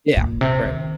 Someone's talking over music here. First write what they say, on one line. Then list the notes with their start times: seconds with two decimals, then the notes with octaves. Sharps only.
Yeah, right.
0.17 A#2
0.41 C3
0.65 D#3